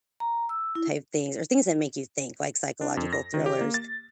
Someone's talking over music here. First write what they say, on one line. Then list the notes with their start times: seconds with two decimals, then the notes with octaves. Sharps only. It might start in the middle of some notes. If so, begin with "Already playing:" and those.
type things, or things that make you think, like psychological thrillers
0.20 A#5
0.49 E6
0.75 E4
2.81 D4
2.97 F2
3.13 A#6
3.34 D#3
3.46 G4
3.61 A#3
3.74 A6